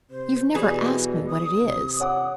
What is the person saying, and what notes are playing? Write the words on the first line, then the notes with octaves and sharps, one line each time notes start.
You've never asked me what it is.
C3 C5
B2 E3 G3 G#4 D#5
D#6
C3
C#5 F#5 D6